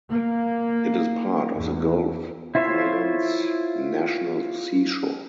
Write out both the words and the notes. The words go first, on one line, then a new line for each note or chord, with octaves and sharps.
It is part of the Gulf Islands National Seashore.
A#3
E2
E4 F4 C5 C#5 E5